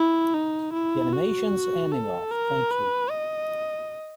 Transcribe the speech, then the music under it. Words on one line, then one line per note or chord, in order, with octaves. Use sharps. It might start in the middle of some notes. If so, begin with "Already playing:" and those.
The animation's ending of, Thank you.
Already playing: E4
D#4
E4
F#4
A4
A#4
B4
D#5